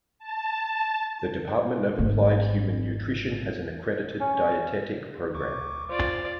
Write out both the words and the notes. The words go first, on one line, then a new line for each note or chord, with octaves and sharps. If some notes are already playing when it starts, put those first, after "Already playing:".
The Department of Applied Human Nutrition has an accredited dietetic program.
A5
G#1 A3
C#4
D2 C#6 D6
F4 C5 D5